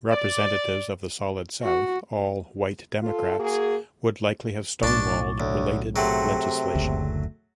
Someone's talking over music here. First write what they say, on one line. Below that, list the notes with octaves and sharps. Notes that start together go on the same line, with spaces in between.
Representatives of the Solid South, all white Democrats, would likely have stonewalled related legislation.
D5
F#4
F4 A4
A#3 F#4 G#4
B1 A2 D4 A5 C#6 D6 A6
D2 C#5
C3 F#3 A3 G#4 G5 C6
F#1 D2